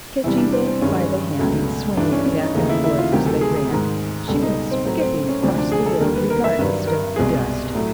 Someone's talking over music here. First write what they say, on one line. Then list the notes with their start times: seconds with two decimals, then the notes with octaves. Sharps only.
Catching Davy by the hand, and swinging it back and forth as they ran, she went skipping across the road regardless of the dust.
0.24 E2 C3 E3 G3 E4
0.38 D4
0.52 C4
0.67 C4
0.81 G2 D#3 G#3 C#4
1.39 C#2 B2 F#3 A3
1.97 G2 E3 A3 D4
2.12 C#4
2.26 C#4
2.41 D#4
2.54 D#2 C#3 E3 A3 D#4
2.69 E4
2.84 E4
2.98 F4
3.12 D2 C3 D#3 F#3 G4
3.26 A4
3.41 G#4
3.56 G#4
3.70 G#2 D#3 G#3
4.28 C#2 B2 G3 A4
4.43 D#4
4.71 C4
4.85 A2 F#3 A3 C4
5.00 C4
5.29 C#4
5.43 D2 C3 F3 D4
5.58 D4
5.72 G#4
5.86 A4
6.01 D#2 D3 G3 A#4
6.15 B4
6.30 A#4
6.44 E5
6.59 G2 D#3 F#3 B4
6.87 A#4
7.16 C2 B2 G#3 G#4
7.75 A2 F#3 A3